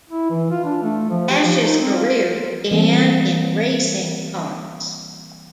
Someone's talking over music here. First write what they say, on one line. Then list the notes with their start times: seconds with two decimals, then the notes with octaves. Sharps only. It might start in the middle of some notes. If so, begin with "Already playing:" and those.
Ash's career began in racing karts.
0.10 E4
0.30 E3
0.51 F4
0.64 D4
0.82 A3
1.09 F3
1.30 G4
1.44 F3
1.60 D#4
1.80 C4
1.94 F4
2.71 E3 G3 A#3 C4 A4